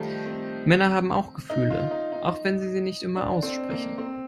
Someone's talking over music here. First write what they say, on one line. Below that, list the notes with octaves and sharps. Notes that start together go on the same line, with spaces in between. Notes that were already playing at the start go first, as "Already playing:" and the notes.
Männer haben auch Gefühle, auch wenn sie sie nicht immer aussprechen.
Already playing: D#3 F3 G3 A3
C4
D#4
F4
D#4
D#4
D4
C4
A#3
C4